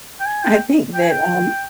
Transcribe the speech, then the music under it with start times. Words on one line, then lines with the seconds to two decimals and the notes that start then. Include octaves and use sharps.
I think that, um
0.20 G5
0.26 G#5
0.43 G5
0.94 G5
1.01 G#5
1.11 G5